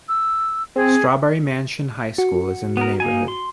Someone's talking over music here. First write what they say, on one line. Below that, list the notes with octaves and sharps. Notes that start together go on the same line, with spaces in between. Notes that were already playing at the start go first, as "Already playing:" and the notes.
Strawberry Mansion High School is in the neighborhood.
E6
C4 G#4
F#4
B3 A#4
A#3 D#4 G#5
C6